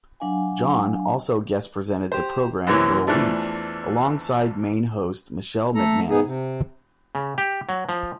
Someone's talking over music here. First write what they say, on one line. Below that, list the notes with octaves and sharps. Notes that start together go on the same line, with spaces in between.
John also guest presented the programme for a week alongside main host Michelle McManus.
F#3 D4 F5 G#5
G4 C5
F#2 C3 E3 A#3 C#4
E2 E3 F3 A3 D4
A3 A4 A#5
G#2 B3 D#4 G#4
C3
C#3
G4
F#3
F3